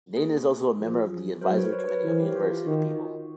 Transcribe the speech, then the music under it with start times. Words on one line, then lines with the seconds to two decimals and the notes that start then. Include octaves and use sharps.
Nadin is also a member of the Advisory Committee of University of the People.
0.17 A#3 G#4
0.80 F3
1.41 F#3 A#4 C5
1.58 B4 C#5
1.72 B4 C#5
1.88 B4 C#5
2.04 E3 A#4 C5
2.20 G4
2.35 F4
2.51 F4
2.66 D#3 F#4